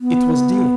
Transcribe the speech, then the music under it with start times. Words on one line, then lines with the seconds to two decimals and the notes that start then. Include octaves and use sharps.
It was Dea.
0.01 B3